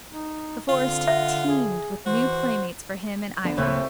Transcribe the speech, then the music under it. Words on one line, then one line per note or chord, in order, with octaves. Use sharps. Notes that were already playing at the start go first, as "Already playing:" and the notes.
The Forest teemed with new playmates for him and Ivra.
D#4
D3 C4 F4
E5 F#5
G#4
E3 F#4 C5
D3 B3 D4
D1 C#3 A3 A#3 C4 B4 C#5